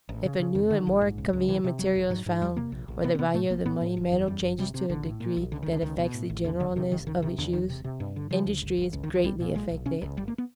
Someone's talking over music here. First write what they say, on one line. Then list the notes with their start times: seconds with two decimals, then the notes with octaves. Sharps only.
If a new and more convenient material is found, or the value of the money metal changes to a degree that affects the generalness of its use, industry is greatly affected.
0.09 A1
0.25 C#3
0.40 C#3
0.55 F2 D#3
0.70 D3 D#3
0.87 A#1
1.01 G#2
1.18 C#2
1.33 C#2
1.48 C3 E3
1.64 C3
1.79 E1 F#3
1.96 E1
2.10 G#2 F#3
2.26 G#2
2.41 E2 G3
2.56 C3 A#3
2.72 A#1
2.88 A#1
3.04 C3 B3
3.15 C4
3.19 C3 B3
3.34 A2 A3
3.50 A#1 A#3
3.66 A2 B3
3.81 A2
3.97 F#1
4.12 E2
4.27 F#2 G3
4.44 G1
4.59 C3 G3
4.74 C3
4.89 A#1 D3
5.05 A2
5.20 A#2
5.37 B1
5.52 C#2 D3
5.63 D#3
5.67 C#2
5.72 D3
5.82 C#2 D#3
5.99 B2
6.14 A2
6.30 A1
6.44 E2 D3
6.60 F1 D3
6.76 C3 D#3
6.92 G1 D#3
7.07 C#2 D#3
7.22 C3 D#3
7.38 E2 D3
7.53 E1 D#3
7.69 C3
7.84 C3
8.00 G2
8.16 D3
8.31 C#3 F3
8.46 D2
8.62 G1
8.77 G1
8.93 C#2
9.03 D#3
9.08 C#2
9.14 F3
9.24 B1 G3
9.40 A#2
9.55 B1 G#3
9.71 B1
9.86 C3 C#4
10.02 C#2
10.17 G1 G3
10.28 A#3
10.38 B3